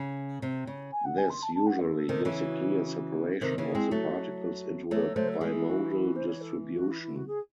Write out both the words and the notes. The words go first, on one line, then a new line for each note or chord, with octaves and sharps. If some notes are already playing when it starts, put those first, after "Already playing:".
This usually gives a clear separation of the particles into a bimodal distribution.
Already playing: C#3
C3
C#3
G#5
F#5
G#5
C6
A5
A5
F#5
A4
C3 D#3
C#3 E3
F#4
C3 D#3 A4
C#3 E3
G#4
G#3 C4
F#3 A3 F#4
F#3 A3 G#4
A4
F#3 A3 C5
A4
E3 G#3 G#4
F#4
E4
F#4
C5
C#5
A4
F#4
E4
E4
F#4
G#4